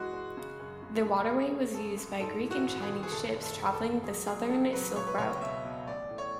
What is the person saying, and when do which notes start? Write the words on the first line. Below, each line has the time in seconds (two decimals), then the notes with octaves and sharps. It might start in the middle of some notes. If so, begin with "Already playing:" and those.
The waterway was used by Greek and Chinese ships travelling the southern Silk Route.
Already playing: F#2 E3 G#3 F#4 G#4
0.13 G#3
0.37 C#3
0.59 F#2
0.82 C#3
1.06 C#3
1.29 A3 G#4
1.51 A3
1.74 F#2 A4
1.98 F#2
2.20 G#2 A4
2.43 E3
2.51 F#4
2.67 G#1
2.82 G#4
2.88 G#1
3.03 G#4
3.11 F#1 A4
3.35 F#1
3.43 A4
3.58 F#1
3.73 A4
3.80 E2
4.03 F#3 G#4
4.26 F#3 G#4
4.50 C#3 A4
4.73 F#3 B4
4.96 C#2 C#5
5.07 B4
5.18 C#2 C#5
5.41 B2 E5
5.64 B2
5.87 A1 D5
6.10 A2
6.18 C#5